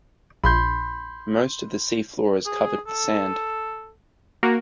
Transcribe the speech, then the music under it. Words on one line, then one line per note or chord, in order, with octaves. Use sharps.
Most of the seafloor is covered with sand.
A#1 B5 C6 G6
G#4
A4
A#3 F#4 A#4